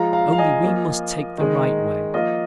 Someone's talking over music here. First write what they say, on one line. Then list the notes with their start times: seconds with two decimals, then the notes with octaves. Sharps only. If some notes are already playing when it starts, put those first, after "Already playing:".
Only we must take the right way.
Already playing: F3 G#3 F4 F5 A#5
0.13 F5 A#5
0.32 F5
0.38 D#5 G#5
0.63 F3 A#3 F4
1.38 D#3 G#3 D#4
2.14 F3 A#3 F4 D#5